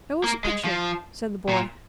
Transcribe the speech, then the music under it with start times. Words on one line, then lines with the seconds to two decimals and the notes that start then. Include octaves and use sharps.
'Show us a picture,' said the boy.
0.24 A#3
0.45 G#3
0.65 F3
1.49 A#2